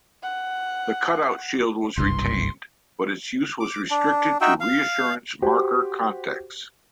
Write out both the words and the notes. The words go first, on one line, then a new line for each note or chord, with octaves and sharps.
The cutout shield was retained, but its use was restricted to reassurance marker contexts.
F#5
F#1 C2 G2 C6
D6
D4
D#4 F#4 E5 G5
F5
F#4 G4 C5